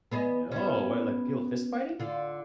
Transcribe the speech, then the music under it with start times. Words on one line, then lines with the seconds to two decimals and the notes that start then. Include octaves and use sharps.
No, well, like, people fist fighting?
0.11 B3 G#4 D#5
0.51 B3 C#4
2.00 D3 F4